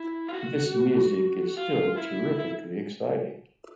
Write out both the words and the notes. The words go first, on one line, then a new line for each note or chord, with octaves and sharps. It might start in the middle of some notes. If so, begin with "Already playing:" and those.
This music is still terrifically exciting.
Already playing: E4
F4
F#4
F4
E4
E4